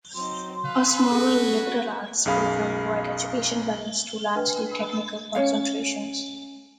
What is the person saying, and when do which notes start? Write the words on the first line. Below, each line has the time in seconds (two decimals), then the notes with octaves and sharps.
A smaller liberal arts program provides educational balance to the largely technical concentrations.
0.15 F#3 C4 D#4 C6
0.65 B4 F5
1.11 C#4 F#4 G#4 A4
2.26 B1 F#2 G#4 F5 B5
4.35 D4 B4 G5 G#5 F6
5.35 C#4 D4 C#5 F5